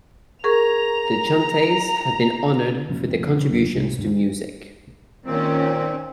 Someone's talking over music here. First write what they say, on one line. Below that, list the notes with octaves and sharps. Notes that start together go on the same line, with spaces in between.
The Chantays have been honored for their contributions to music.
G#4 A#4 A#5 C#6 F7
F1 F2 A#2 C#4
C#3 C#4
E2 F#3 D4
C2 C3
D1 D#2 G#2 D4
A#2 D#3 C4 C#4